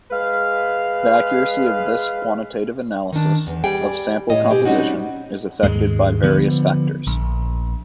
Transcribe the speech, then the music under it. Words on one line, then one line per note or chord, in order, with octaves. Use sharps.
The accuracy of this quantitative analysis of sample composition is affected by various factors.
G#3 B4 F5
D#3 D4
E2
G3 G#4 G5
A2 C#5 D#5
B2 G4 G#4
G3 C4 C#4 D#4 F#4
D#2 G#2 G#3
D3 F3 B3
A#1